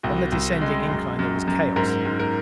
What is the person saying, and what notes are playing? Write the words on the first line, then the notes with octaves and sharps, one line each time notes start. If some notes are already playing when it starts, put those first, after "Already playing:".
On the descending incline there was chaos.
C2 F#4
C2
G#3
F#2
F#2
F#2
G#2 A#4
G#2
A#4